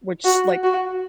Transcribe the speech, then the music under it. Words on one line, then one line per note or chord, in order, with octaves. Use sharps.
which like
F#4
F#4